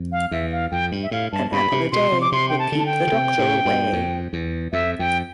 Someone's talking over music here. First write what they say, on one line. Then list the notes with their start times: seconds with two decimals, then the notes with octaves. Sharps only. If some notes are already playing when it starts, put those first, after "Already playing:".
An apple a day, will keep the doctor away.
Already playing: F2
0.12 F5
0.31 E2 E5
0.52 F5
0.71 F2 G5
0.92 G2
1.03 E5
1.11 A2 F5
1.32 G2 A5
1.52 G2 B5
1.72 C3
1.92 B2 C6
2.12 C3
2.21 D6
2.32 C3 C6
2.49 G5
2.59 A5
2.72 D3
2.79 A5
2.86 G5
3.07 D3
3.12 C3
3.39 A2
3.65 G2
3.93 F2
4.33 E2
4.72 F2 E5
4.99 F2 G5